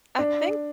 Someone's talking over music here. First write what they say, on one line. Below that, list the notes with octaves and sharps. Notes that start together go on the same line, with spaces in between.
I think
D4